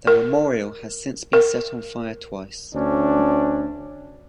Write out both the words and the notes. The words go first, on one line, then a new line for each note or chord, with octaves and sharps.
This memorial has since been set on fire twice.
A#4
A#4
D2 C#4 D4